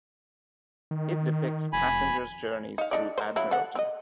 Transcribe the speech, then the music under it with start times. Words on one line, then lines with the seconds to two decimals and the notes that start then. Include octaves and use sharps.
It depicts passengers' journeys through Admiralty.
0.91 D#3
1.73 F1 G#5 B5
2.78 D#4 F5
2.91 D4 D#4 D5
3.18 A#4 C5
3.36 C#3 F#3 E4
3.51 A4 F#5
3.75 C4 D#5